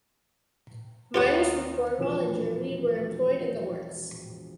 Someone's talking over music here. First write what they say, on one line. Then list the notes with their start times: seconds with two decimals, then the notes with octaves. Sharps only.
Miners from Cornwall and Germany were employed in the works.
1.14 D#2 D#3 F4 G4 C#5
1.98 E1 A#1 F3 B4 E7